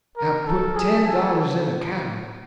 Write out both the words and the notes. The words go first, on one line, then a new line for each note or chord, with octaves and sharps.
I put ten dollars in a cow.
A#4
A4
G#4
A4